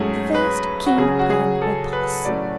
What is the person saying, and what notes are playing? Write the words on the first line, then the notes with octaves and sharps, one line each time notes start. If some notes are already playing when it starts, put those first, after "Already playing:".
The first keen pang will pass.
Already playing: G#2 F#3 A3 C#4 G#4
B4
F#4
C#3 F#3 C#4 G#4
F#4
G#4
A4
B4
A2 F#3 A3 C#4 D5